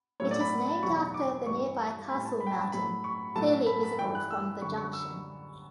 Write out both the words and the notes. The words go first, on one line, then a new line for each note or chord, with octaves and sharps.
It is named after the nearby Castle Mountain, clearly visible from the junction.
A2 F#3 A3 C#5
D5
B5
E2 B2 F#3 C#6
D6
G2 E3 G3 C#6
A2 G3 B5
A5
B5
G5
A5
A5
A2 F#3 A3 B5
C#6
A2 F#3 A3 A5
B5
B5
G2 E3 G3 G5
F#6
E6
F#2 D3 G3 C#6
C#6
E6